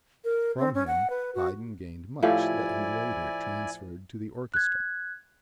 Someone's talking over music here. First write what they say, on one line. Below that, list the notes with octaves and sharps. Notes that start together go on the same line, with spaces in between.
From him Haydn gained much that he later transferred to the orchestra.
A#4
C4
C#4
F#5
B4
F#4
A2 F3 E4 G4 D5 G#5
F#6 G#6